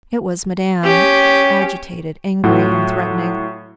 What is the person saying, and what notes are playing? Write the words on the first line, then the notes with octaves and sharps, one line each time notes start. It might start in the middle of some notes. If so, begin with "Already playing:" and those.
It was Madame, agitated, angry, and threatening.
C#4 G4
A2 F#3 F4 F#5